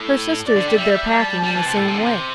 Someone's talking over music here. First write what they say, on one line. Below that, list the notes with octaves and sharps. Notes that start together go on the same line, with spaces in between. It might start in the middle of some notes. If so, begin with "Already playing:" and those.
Her sisters did their packing in the same way.
Already playing: A2
D5
D3
G3
G3 E5
A5
G3
E3
C3
A2
C3
D3
C3